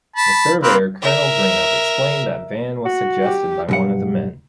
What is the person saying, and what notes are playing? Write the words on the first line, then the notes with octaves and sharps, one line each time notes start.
The surveyor, Colonel Greenup, explained that "Van" was suggested by one of the men.
A5 B5
A#3 C4 B4
A#4 E5
F#4
G4
B1 G2 F#5